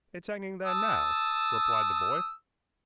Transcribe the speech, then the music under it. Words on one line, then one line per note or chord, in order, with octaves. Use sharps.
'It's hanging there now,' replied the boy.
A5 D#6 E6